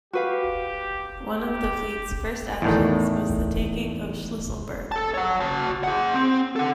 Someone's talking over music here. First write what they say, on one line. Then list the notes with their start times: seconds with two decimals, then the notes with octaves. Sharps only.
One of the fleet's first actions was the taking of Shlisselburg.
0.13 F#4 G4 B4 F5
1.36 G4
2.62 E2 A2 D#3
4.92 A4 A5
5.14 C#5 F#5
5.41 F#4 A5
5.84 G#4 F#5
6.14 C4
6.56 A4 F#5